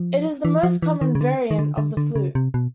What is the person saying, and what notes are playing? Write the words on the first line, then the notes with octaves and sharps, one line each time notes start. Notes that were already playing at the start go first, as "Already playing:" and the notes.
It is the most common variant of the flute.
Already playing: F3
E3
F3
E3
D#3
C#3
D3
D#3
D3
D3
D3
C#3
C3
B2